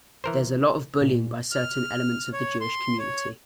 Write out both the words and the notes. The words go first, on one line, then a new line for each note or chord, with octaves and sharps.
There's a lot of bullying by certain elements of the Jewish community.
E3 A#4 C5
A#2
F6
C#5
C6
C#5